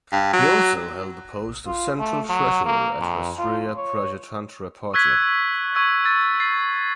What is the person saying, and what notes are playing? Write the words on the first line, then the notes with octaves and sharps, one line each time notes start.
He also held the post of central treasurer at Rastriya Prajatantra Party.
G2
F#3
F4
A3
F#3
A#3
F2
F4
C#5
C#6 E6 F#6 G#6 B6
C#6 E6 G#6
E6 A6
A6 C7